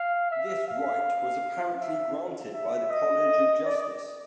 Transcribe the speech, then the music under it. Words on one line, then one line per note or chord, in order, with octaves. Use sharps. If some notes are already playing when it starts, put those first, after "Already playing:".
This right was apparently granted by the College of Justice.
Already playing: F5
E5
F5
E5
E5
D#5
D5